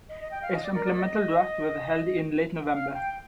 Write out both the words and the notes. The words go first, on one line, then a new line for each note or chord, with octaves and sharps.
A supplemental draft was held in late November.
D#5
D#5
G5
F5
D#5
D5
A#4
D5
D#5
F5
G5